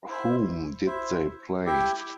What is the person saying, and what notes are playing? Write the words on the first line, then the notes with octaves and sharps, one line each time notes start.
Whom did they play?
E4 C5 E5
E4 C5 E5
E4 G4 E5 G5